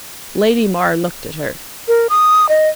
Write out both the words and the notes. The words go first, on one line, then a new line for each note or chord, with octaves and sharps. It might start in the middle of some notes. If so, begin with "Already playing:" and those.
Lady Mar looked at her.
A#4
D#6
D#5